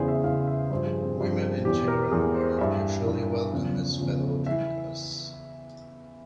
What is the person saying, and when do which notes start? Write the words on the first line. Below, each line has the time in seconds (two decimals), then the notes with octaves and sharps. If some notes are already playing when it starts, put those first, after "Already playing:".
Women and children were not usually welcome as fellow drinkers.
Already playing: E2 C#3 E3 G#4 C5
0.08 E5
0.24 E2 C#3 E3 F5
0.47 E5
0.71 G2 F3 C5
0.86 G#4
1.02 C4
1.18 G2 F3
1.65 E2 E3 G4
1.88 A#4
2.11 E2 E3 G#4
2.35 C5
2.58 G2 E3 E5
3.05 G2 E3
3.52 E2 C#3 F3
3.99 E2 C#3 F3
4.46 E3 E5